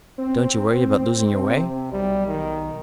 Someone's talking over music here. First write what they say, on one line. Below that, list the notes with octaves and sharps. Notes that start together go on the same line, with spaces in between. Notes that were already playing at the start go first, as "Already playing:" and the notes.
"Don't you worry about losing your way?"
C4
C3
B1 G3
D#3